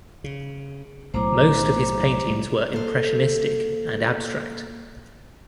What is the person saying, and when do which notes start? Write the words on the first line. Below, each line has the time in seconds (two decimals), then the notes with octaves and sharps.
Most of his paintings were impressionistic and abstract.
0.24 C#3
1.14 B1 A2 F#3 C5 A#5 D6
2.27 A2 G3
2.73 A#3 A4 C5